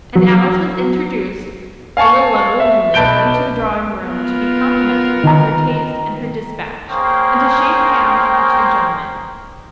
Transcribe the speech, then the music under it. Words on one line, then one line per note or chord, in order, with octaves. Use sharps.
And Alice was introduced a little unwillingly into the drawing room to be complimented on her taste and her despatch, and to shake hands with the two gentlemen.
F#3
F5 G#5 A5 C#6
E5
B1 B4 A5 G6 D7 G7
B3 F4 A#4
D#3 A#5
A#3 C#4 G#4 C5 G5